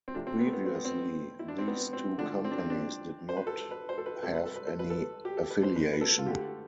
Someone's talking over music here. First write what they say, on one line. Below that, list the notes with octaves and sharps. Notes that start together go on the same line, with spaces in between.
Previously, these two companies did not have any affiliation.
C4
C3 F3 A3 D4
C4
B3
A3
B3
C4
B3
C4
E4
D4
C4
B3
C4
D3 F3 A3 D4
C4
D4
C4
D4
C5
B4
A4
B4
C5
A4
B4
C3 G3 A4
B4
A4
B4
A4
B4
A4
G4
A4
B4
C5
B4
B4
A4
F4
D3 A3 G4